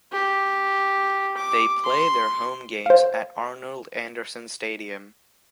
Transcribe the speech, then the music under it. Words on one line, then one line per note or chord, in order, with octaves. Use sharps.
They play their home games at Arnold Anderson Stadium.
G4
D6
C6
C5 F5